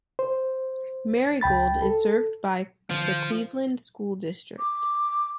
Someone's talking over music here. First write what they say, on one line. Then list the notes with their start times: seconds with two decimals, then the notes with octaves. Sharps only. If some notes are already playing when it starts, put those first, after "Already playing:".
Merigold is served by the Cleveland School District.
0.19 C5
1.41 C#2 G5 B5 A6
1.82 A4
2.90 F3
4.59 D6